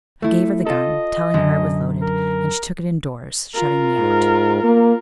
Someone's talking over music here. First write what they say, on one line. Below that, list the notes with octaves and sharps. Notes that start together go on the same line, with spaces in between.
I gave her the gun, telling her it was loaded, and she took it indoors, shutting me out.
A3 E4
F4 A4 D#5
F#2 D3
A#4
F4 A#4
G#2
A#3